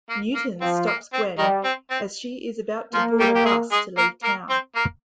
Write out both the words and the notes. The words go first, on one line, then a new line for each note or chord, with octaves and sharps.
Newton stops Gwen as she is about to board a bus to leave town.
A#3
A#3
F3 C4
A#3
C4
D#3 G3 D#4
C4
C4
F3 A#3 F4
G3 G4
G4
G#3 G#4
G#3 G#4
A#3 A#4
A#3 A#4
C4 C5
A#3 A#4